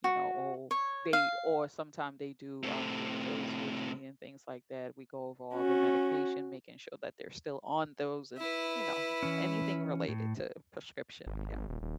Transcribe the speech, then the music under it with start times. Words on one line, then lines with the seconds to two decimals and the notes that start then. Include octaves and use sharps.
you know, oh they or sometimes they do, um, refills with me and things like that, we go over all their medication, making sure that they're still on those and, you know, anything related to prescription, yeah.
0.04 F#4
0.71 C#5
1.13 F5
2.63 A2 C3
5.55 C#4 F#4
8.38 E4 B4
9.23 E3 C#4
10.08 A2
11.26 G#1
11.69 D#1
11.82 D#1